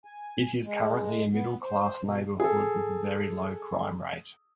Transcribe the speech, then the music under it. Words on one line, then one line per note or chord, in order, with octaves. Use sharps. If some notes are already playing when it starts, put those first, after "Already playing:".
It is currently a middle-class neighborhood with a very low crime rate.
G#5
G#3
B3
C5
B2
G#4 A4